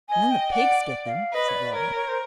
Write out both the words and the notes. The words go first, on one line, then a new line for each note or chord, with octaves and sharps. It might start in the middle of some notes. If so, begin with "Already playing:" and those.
"And then the pigs get them," said Robin.
D#5 G#5
G5
D5 F#5
F5
B4 D#5
C#5
D5
A#4 C#5
C#5
C5